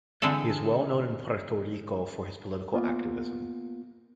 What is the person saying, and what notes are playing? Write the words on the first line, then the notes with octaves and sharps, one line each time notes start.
He is well known in Puerto Rico for his political activism.
D3 E3 G#3 C4 A4
A#3 B3 F4